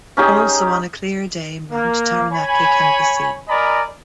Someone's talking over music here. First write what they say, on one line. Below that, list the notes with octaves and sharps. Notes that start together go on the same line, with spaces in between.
Also on a clear day Mount Taranaki can be seen.
C#4 D#4 G4 G#4
A#3
C#5 G#5 B5
A#4 D5 D#5 G#5 A#5 B5